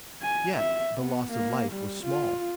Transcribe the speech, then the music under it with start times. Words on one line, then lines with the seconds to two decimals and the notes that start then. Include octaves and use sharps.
Yet the loss of life was small.
0.22 G#5
0.57 E5
0.99 B3
1.31 A#3
1.72 G3
2.03 F4